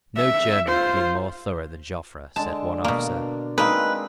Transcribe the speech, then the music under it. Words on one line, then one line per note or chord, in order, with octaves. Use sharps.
"No German could be more thorough than Joffre," said one officer.
E5
F4 C5
D3 G#3 A5
B2 A#3 D4
G#3 A#3 C4 D#4 B4